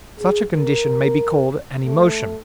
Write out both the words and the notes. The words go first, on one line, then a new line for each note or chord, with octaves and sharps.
Such a condition may be called an emotion.
G#4
A#4
A3